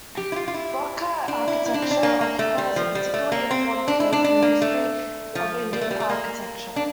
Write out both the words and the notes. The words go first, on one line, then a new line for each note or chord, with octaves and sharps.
Rock-cut architecture occupies a particularly important place in the history of Indian Architecture.
G4
E4
F4
F4
E4
D4
E4
E4
D4
C4
D4
A#3
A#3
A3
G3
F3
G3
A3
A#3
C4
D4
E4
D4
D4
A#3
A3
F3
G3
A3
G3
A3
A#3
D4